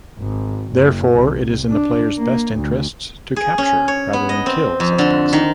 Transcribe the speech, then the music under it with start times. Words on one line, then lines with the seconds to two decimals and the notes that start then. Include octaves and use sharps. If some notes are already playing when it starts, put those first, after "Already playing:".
Therefore, it is in the player's best interests to capture rather than kill suspects.
0.19 G#1
0.72 F#1
1.14 C2
1.68 D4
2.17 A#3
2.56 D2
3.36 G#4
3.58 C#4
3.88 C#5
4.13 B3
4.29 D#5
4.46 C4
4.80 F2
4.98 D3
5.33 D#3